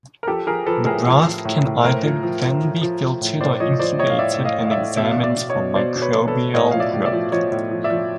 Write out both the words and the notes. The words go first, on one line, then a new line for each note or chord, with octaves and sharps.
The broth can either then be filtered or incubated and examined for microbial growth.
A#4
F3 G4 A4
F3 G#4 A#4
F3 A4 B4
A2 G#4 A#4
F3
F3
A2
A2
A2 A#4 C5
F3
F3
F3
F3
F3
F3
A2
A2 C5 D5
F3 C#5 D#5
F3 C5 D5
A2 C#5 D#5
F5
A2 D5 E5
A2 E5
D#5 F5
A2
F5
D5 E5
A2
B2 E5
F5
D5 E5
B2
D5 E5
B2
C#5 D#5
B2
B2 C5 D5
B2
B4 C#5
B2
A4 B4
B2
A2 C#5 D#5
F3 F5
D5 E5
A2
D5 E5
F3
F3 C#5 D#5
A2
F3
D5 E5
F3